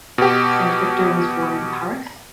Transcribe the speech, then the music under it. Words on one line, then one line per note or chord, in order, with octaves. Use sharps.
Saint-Victor was born in Paris.
B2 G4